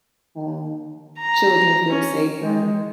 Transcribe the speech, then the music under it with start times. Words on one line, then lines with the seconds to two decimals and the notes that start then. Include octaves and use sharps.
um, children feel safer.
1.18 A#5
1.90 C#4
2.41 G#3